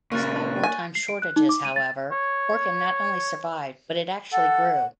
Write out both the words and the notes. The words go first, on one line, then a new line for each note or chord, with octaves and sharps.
Despite wartime shortages, however, Orkin not only survived, but it actually grew.
A#2 C#3 A#3 C#6 F#6 A6
G#5
C7
D7
F#6
D#4
D6
D#7
A6
C#5
A4 F#5